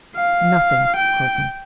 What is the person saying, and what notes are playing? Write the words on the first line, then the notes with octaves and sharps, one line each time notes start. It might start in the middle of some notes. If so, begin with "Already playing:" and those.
"Nothing, Carton."
F5
G5